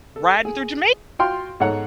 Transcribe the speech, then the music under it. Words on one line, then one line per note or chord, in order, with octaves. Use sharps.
riding through Jamai
A4
G#4
F4 F#4 G5 C6 F6
G#2 A4 C#5 F#5 A#5